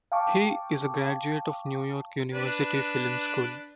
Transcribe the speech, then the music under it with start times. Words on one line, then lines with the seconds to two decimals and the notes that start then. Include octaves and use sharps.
He is a graduate of New York University Film School.
0.12 F5 G5 A5 C#6 D6
2.33 D4 B4